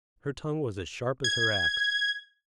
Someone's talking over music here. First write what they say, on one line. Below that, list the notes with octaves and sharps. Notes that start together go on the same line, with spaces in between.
Her tongue was as sharp as her axe.
G#6